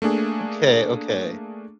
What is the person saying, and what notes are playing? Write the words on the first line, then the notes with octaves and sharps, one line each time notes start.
Okay, okay.
A3 A#3 D4 G#4